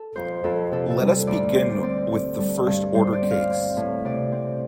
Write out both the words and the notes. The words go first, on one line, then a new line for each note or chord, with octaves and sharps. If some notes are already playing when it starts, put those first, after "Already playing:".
Let us begin with the first order case.
Already playing: A4
F2 C5
F2 A4
C3 A4
A4
G3
A4
D2 D5
C4 C5
D5
C4 D5
G3
G3 A4
G2
G3 C5
D5
C4
F5
C4
A2
C3 D5
C4